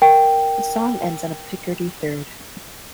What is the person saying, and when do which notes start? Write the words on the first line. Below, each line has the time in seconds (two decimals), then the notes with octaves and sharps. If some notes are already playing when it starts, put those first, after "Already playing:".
The song ends on a Picardy third.
0.02 A#4 G5